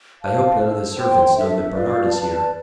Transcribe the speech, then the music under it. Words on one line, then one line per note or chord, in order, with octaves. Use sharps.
"I hope none of the servants know that Bernard is here?"
C5 F5 A5
D4 A4 C5
C5 G5 C6
D4 A4 E5
F4 B4 D5 F5
B4 D5 A5